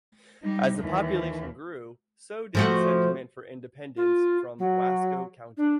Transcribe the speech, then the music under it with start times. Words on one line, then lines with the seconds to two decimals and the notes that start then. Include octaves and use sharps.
As the population grew, so did the sentiment for independence from Wasco County.
0.43 G3 D#4
0.79 D#2 E3
2.55 F3 A3 F#4
3.97 F4
4.59 F#3
5.57 D4